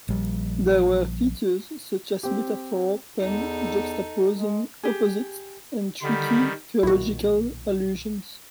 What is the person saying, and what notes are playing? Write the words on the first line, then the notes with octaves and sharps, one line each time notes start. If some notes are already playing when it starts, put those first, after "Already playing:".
There were features such as metaphor, pun, juxtaposing opposites and tricky theological allusions.
A#1 G3
C4 G4
E2 D#4 A4
G#3
G4 G#4
D3 D#3 G3 B5
B1 A#2 D#3 E4 F#4